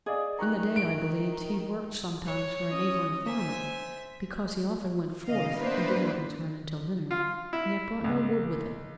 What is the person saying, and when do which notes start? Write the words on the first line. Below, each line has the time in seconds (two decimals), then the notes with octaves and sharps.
In the day, I believe, he worked sometimes for a neighbouring farmer, because he often went forth and did not return until dinner, yet brought no wood with him.
0.06 G#4 D5 D#5 F5
0.39 D#3 A#5 C#6 F#6
0.76 E5 D7
2.26 C#5
2.70 C#4 D#5
3.25 C5 E5 G#5
5.27 C#3 D#5 F5
5.57 A#3 B3 D4 E4 B4 C5
7.11 F4
7.53 E4
8.04 C#2